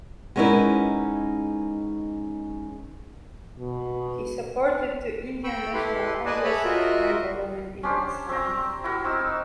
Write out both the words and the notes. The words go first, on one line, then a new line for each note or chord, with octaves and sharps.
He supported to Indian National Congress to form government in Assam.
G#3 B3 C#4 D#4 E4 A#4
B2
G5 B5 C#6 E6
E4 G4 A4 B4 C6
B4 D5 D#5 G#5 A5
G#4 C#5 E5 A5 B5
F4 F#4 A#4 D#5 E5
C#4 D4 G4 C5
C4 C5 G5 A#5
E4 F#4 A#4
C4 D#4 E6